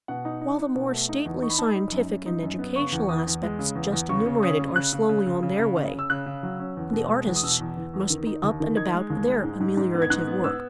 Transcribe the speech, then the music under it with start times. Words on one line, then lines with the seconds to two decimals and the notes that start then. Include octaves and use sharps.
While the more stately scientific and educational aspects just enumerated are slowly on their way, the artists must be up and about their ameliorative work.
0.08 B2 F#5
0.25 D#4
0.41 D#4
0.58 D#4
0.75 B2
0.92 A3
1.09 D#4
1.25 E2
1.42 D#4 C#6
1.50 B5
1.58 D#4 A5
1.67 B5
1.75 D#4
1.92 F#2
2.09 F#2
2.26 D#4
2.43 F#2
2.59 B3
2.76 C#3 C#6
2.92 E2
3.08 E2 D#6
3.26 E2
3.43 G#3
3.59 C#3
3.75 E2
3.93 E2
4.09 C#3 C#6
4.26 C#3
4.42 C#4 D#6
4.59 C#3
4.76 C#3 F#6
4.93 C#3
5.09 C#3
5.26 C#3
5.43 C#3
5.59 C#3
5.76 C#3
5.93 C#3
5.99 E6
6.10 C#3 F#6
6.26 C#3
6.43 F#3
6.59 C#4
6.77 E2
6.93 B2
7.10 G#3
7.26 E2
7.36 D#6
7.43 B2 E6
7.60 E2
7.77 E2
7.94 E2
8.10 D#3
8.27 D#4
8.43 D#2
8.60 D#3
8.77 D#4 G#6
8.94 G#3
9.10 D#2
9.27 G#3
9.44 G#2
9.60 G#2
9.77 G#2
9.94 B3
10.02 G#6
10.10 G#2 F#6
10.27 B3
10.44 B3 E6